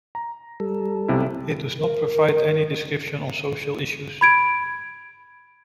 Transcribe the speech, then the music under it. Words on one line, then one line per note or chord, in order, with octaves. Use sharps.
It does not provide any prescription on social issues.
A#5
G3 A4
B1 C3 E4
A#4
B5 G#6 D7